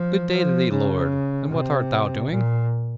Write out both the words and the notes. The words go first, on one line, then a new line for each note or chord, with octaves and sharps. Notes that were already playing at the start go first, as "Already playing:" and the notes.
'Good-day to thee, lord; and what art thou doing?'
Already playing: F3
F3
C#3
C3
A#2